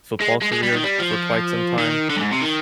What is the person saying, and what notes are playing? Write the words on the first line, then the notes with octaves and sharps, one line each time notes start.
football career for quite some time.
G#3
G#3
G#3
G3
D#3
G3
F3
D#3
D3
G2
G#2
C3
D#3